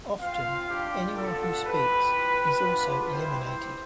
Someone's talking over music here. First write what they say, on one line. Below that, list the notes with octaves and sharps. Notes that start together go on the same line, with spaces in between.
Often, anyone who speaks is also eliminated.
C4 F4 F5
G3 D4 F4 G4
B3 D4 F4 A4
C4 E4 G4 B4
C4 F4
B3 D4 F4
G3 C4 E4 G4 C5